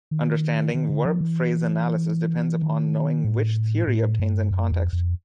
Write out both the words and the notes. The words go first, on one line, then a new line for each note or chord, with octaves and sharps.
Understanding verb phrase analysis depends upon knowing which theory obtains in context.
D#3
D#3
D3
F3
E3
D#3
A2
A2
G2
F#2
F2
F2